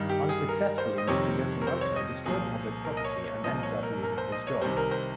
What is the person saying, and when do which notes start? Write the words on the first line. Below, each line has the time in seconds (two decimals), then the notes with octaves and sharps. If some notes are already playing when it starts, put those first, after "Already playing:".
Unsuccessfully Mr. Yokomoto destroyed public property and ends up losing his job.
Already playing: G2 D#3 G3
0.09 G4
0.29 G#4
0.49 A#4
0.78 C5
0.98 D#5
1.08 F2 C3 D#3 G3 C#5
1.62 A#4
1.67 C5
1.81 C#5
1.96 D#5
2.26 C2 A#2 F3 G#4
2.85 A#4
2.97 D#5
3.05 C#5
3.24 C#5
3.44 C2 A#2 F3 D#5
3.63 C#5
3.83 A#4
4.03 A#4
4.18 C5
4.32 D#5
4.47 C#5
4.61 C2 C3 D#3 G3 C5
4.77 A#4
4.91 C5